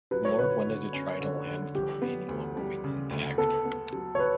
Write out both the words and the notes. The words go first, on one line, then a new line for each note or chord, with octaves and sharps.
Lord wanted to try to land with the remaining lower wings intact.
F#3 B4
C#5
D3 B4
D3
C#4
D3
D3
G3 G4
B3
D2
G3
C#3
D2
B3 A4
B3
F#3
C#5
B4